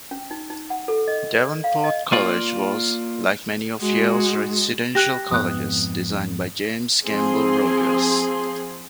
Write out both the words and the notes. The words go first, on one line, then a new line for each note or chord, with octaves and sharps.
Davenport College was, like many of Yale's residential colleges, designed by James Gamble Rogers.
C#4
D#4
D#4
F#5
A4
D#5
D5
F5
D#5
A#3 F4 D5
G#3 F#4
G4 F#6 A#6
F2 G#2 B3 D#6 F#6
F3 C4 G#4 C6